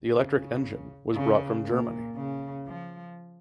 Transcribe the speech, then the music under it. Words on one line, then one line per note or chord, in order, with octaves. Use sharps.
The electric engine was brought from Germany.
C#3
C#3
A#2
C#3
F3